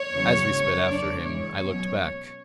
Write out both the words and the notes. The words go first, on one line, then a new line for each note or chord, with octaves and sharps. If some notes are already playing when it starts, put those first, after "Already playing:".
As we sped after him I looked back.
Already playing: C#5
E2 C#3 F#3
G#2 F#3 C#4
F#2 C#3 G#3 D4 D5
G#2 E3 G#3 C#5
B2 F#3 C#4